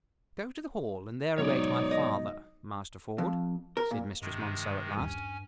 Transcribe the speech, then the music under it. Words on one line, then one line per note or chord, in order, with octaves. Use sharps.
"Go to the hall, and there await my father, Master Ford," said Mistress Monceux, at last.
G#2 B2 F#3 D#4 C#5 D5
D#5
F2
A#4
A#2
G2 C3 D#3 G#3
A1 D#2 G3 C#4 G#5